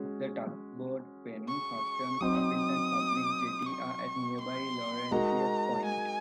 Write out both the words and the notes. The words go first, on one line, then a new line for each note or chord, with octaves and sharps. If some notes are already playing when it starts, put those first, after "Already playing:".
The tugboat pen, customs office and public jetty are at nearby Laurentius Point.
Already playing: G#3 C#4 F#4
C#6
F#3 C4 D#4 D#6
C#6
C6
G#3 D#4 F#4 A#4 A#5
G#5